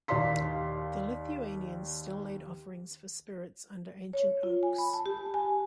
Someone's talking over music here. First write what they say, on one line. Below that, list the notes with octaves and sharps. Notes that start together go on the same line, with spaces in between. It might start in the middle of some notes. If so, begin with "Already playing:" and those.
The Lithuanians still laid offerings for spirits under ancient oaks.
D#2 G4 D5 F5 C6 B6
C#5
F4
G#5
B5
A5
G4
G#5